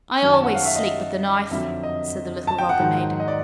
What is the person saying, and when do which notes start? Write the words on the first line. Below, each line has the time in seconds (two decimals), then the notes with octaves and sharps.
"I always sleep with the knife," said the little robber maiden.
0.22 F#2 D#3 F#3
0.33 A5
0.44 F#5
0.54 F5
0.65 E5
0.75 D#5
1.51 F2 D3 F#3 E5
1.83 D#5
2.47 A5
2.58 G5
2.69 F#5
2.80 G#2 D#3 F#3
3.20 D#5
3.28 D5